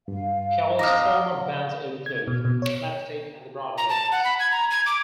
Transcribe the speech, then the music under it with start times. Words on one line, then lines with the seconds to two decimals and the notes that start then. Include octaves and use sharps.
Kelly's former bands include Slapstick and The Broadways.
0.08 G2 F5
0.79 F2 D#5 F5 A#5 D6 F6
2.06 G#6
2.27 B2
2.45 B2
2.62 C#5
3.78 A#5
3.89 A5
4.12 F#5
4.24 B5
4.40 G#6
4.51 A#5
4.71 G#6
4.86 D6